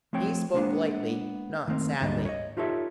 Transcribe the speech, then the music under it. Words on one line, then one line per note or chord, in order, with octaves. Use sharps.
He spoke lightly, not sadly.
F3 A3 C4 C#5 G5
G#3 A#3 B3 D4 G#4
D#3 A3 A#3 C4
D2 G#2 D3 G3 A#3 D#5
C#5 D#5
D#4 F4 G4 A4 C#5 E5